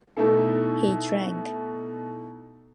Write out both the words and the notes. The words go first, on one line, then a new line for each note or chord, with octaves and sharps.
He drank.
B2 A3 D#4 E4 A4